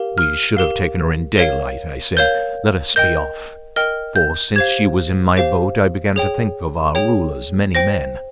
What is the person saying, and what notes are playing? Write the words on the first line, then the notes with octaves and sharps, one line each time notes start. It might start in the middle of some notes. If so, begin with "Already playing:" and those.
We should have taken her in daylight.' I said, 'Let us be off'; for since she was in my boat I began to think of our Ruler's many men.
Already playing: G4 A#4 F5
F6
G4 A#4 F5
A#4 C#5 F5
A#4 C#5 F5 G6
A#4 D#5 G5 G6
A#4 D#5 G5 F6
G6
G4 C5 F5 G#6
G4 C5 F5
G#4 C#5 G5
G#4 C#5 G5
C5 G5 A#6